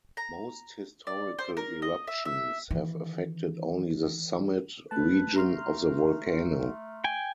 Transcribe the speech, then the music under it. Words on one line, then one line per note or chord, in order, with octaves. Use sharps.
Most historical eruptions have affected only the summit region of the volcano.
A#5
D5
C5
A#4
D#5
E5
E5
D#3 E3
A3 B4 A5
A3 A#5 C6 F6
G5 G#5